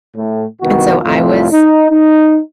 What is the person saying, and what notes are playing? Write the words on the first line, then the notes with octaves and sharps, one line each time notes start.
and so I was,
A2
C2 G2 D#3 B3 F#4
C2 F2 A2 A3 F4
D#4
D#4